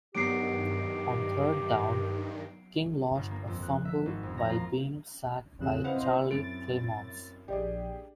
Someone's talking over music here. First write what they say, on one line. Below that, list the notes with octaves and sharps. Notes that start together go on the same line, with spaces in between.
On third down, King lost a fumble while being sacked by Charlie Clemons.
G2 D#3 F#3 B3 D#4 G4 C7 D7
G1
A#3
F2
F#6
E5
G#1
F2
A#5
F4
E2 C#3 F#3 C4 F#6 E7
C4 E4 B4 C5 D#5 F5 F#5
F#2 A6 D7
A#1 D4 G4 G#4 D5